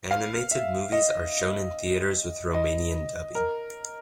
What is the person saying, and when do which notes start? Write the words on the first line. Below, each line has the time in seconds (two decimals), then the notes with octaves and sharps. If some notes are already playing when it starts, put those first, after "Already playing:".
Animated movies are shown in theaters with Romanian dubbing.
0.11 F5
0.51 E5
0.92 D#5
2.54 D#5
3.35 A#4